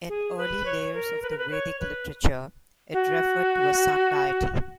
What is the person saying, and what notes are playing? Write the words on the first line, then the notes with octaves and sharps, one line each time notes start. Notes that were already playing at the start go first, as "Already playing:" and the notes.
In early layers of the Vedic literature, it referred to a sun deity.
G#4
B4
C#5
A#4
B4
A#4
B4
C#5
B4
F#4